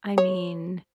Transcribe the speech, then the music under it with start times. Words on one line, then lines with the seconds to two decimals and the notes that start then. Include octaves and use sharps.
I mean,
0.18 C#5